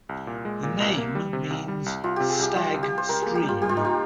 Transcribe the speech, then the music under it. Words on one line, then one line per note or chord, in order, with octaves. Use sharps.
The name means 'stag stream'.
C2
A#2
G#3
A#2
C2
A#3
G3
C3
C2
G3
C2
C2 F4
C3 G4
G#4
C2 G4
G3 F4
C2
G4
C2
C5
C#2 A#4
A#3 G#4
G4
G3 F4
C#2 G4
F4
A#3 D#4
F4